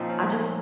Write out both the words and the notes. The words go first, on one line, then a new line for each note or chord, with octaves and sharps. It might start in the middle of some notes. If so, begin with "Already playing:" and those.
I just
Already playing: A#2 F3 C4 D#4
C#4